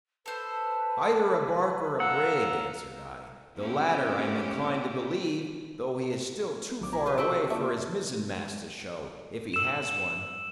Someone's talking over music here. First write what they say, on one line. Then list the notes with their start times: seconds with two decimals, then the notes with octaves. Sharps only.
"Either a barque or a brig," answered I; "the latter I am inclined to believe, though he is still too far away for his mizzen-mast to show, if he has one."
0.26 A4 B4 C5
2.00 F5 F#5 A#5 E6
3.56 A#3 C4 C#4 E4 G4
6.81 B1 D6
6.93 E4 A#5
7.06 F4 G4 B4
7.18 C4 F#4 G4 A4 C#5 E6 D7
7.50 A#3 F4 G#4 D5 E5 A5 C#6
9.54 E6 E7